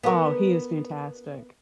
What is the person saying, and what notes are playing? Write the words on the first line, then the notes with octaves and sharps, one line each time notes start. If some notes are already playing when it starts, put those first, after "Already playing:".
Oh, he is fantastic.
B3 A#4